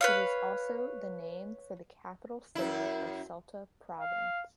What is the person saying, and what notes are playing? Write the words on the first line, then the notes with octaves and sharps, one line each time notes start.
It is also the name for the capital city of Salta Province.
B4 C#5 F5
F#2 E4
F5